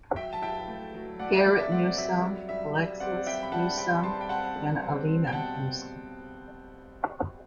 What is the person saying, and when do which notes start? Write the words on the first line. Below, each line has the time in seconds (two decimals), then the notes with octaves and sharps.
Garrett Newsome, Alexis Newsome, and Alena Newsome.
0.16 F#3 E5 G5
0.33 A5
0.42 E4 E5 G5
0.68 A3
0.95 F#3
1.19 A3 D5 F#5
1.32 E5
1.45 A3 D5
1.59 E5
1.72 C4 D5 F#5
1.98 F#3 E5
2.23 G3
2.49 G3 E5
2.75 G3 E5
3.00 C4 D5 F#5
3.26 G3 E5 G5
3.43 B5
3.52 G3 F#5 A5
3.78 C4 G5 B5
4.03 G3 A5 C6
4.21 G5
4.29 C4 F#5 A5
4.56 G3
4.82 C4
5.07 C4
5.27 G5
5.33 B2 F#5 A5